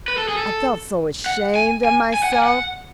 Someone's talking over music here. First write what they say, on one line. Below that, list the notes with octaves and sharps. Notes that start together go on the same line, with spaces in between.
I felt so ashamed of myself.
B4
A4
G#4
A4
F#5
G#5
G#5
G#5
F#5
G#5
F#5